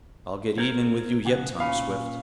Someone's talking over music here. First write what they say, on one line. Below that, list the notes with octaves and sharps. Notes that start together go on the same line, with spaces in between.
"I'll get even with you yet, Tom Swift!"
C4 A#4 G#6
F2 C#3 F#5
A#2 C#4 F5 B5